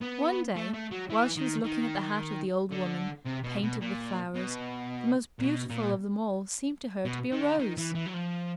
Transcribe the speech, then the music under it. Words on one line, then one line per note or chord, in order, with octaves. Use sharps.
One day while she was looking at the hat of the old woman painted with flowers, the most beautiful of them all seemed to her to be a rose.
B3
A3
A3
F#3
E3
D#3
D#3
D3
C3
B2
B2
A#2
B2
A#2
B2
A#2
B2
D#3
D3
D#3
E3
E3
F#3
F3